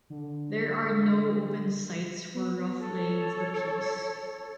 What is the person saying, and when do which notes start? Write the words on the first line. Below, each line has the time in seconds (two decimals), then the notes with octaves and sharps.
There are no open sights for rough laying of the piece.
0.10 D3
2.34 B3
2.82 A4 C#5